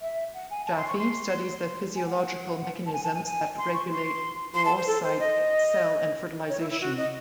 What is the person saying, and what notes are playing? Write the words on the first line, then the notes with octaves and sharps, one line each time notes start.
Jaffe studies the physiological mechanisms that regulate oocyte cell and fertilisation.
E5
F#5
G#5
A5
C6
C#6
C6
G#5
F#5
F#5
A5
G#5
A5
G#5
G#5
C6
C#6
C6
C6
A5
C5
A4
C5
D#5
C#5
E4
E4
F#4
D#5